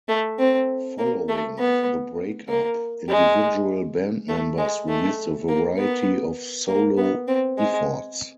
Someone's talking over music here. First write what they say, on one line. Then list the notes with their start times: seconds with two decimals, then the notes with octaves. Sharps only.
Following the breakup, individual band members released a variety of solo efforts.
0.08 A3
0.39 C4
0.99 A#3
1.29 A3
1.58 B3
2.48 A#3
3.09 G#3
4.28 A3
4.58 G#3
4.88 A3
5.48 A#3
5.78 B3
6.68 A#3
6.97 B3
7.27 C4
7.58 G#3